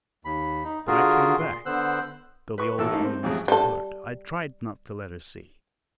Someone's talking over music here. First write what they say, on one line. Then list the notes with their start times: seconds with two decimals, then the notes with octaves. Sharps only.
But I came back. Though the old wound still hurt, I tried not to let her see.
0.25 D#2 B5
0.64 D#4
0.87 D3 F4 F#4 G#4 A#4
1.38 A#2 C6
1.66 D3 B3 C5 E6 F#6
2.58 B4 C#6
2.78 A1 A2 A4 E6
2.91 A3 A#3 D#4 E4
3.04 C4
3.23 A1 F2 G#4
3.48 G3 A4